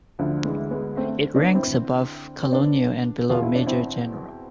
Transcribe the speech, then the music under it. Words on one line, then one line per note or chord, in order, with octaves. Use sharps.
It ranks above colonel and below major general.
D2 D3 F3
E3 G#3
G#3 B3
A3 C4
B3 D4
C4 E4
C4
B3 D4
E2 B2 F4
E4
D4
C4 E4